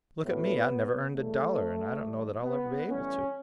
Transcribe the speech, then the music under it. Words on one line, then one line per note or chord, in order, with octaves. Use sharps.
"Look at me; I've never earned a dollar, and I don't know that I'll ever be able to."
A2 F#3 B3
C#3 E3 G3 A3
A2 E3 G3
B3
A2 E3 G3 C#4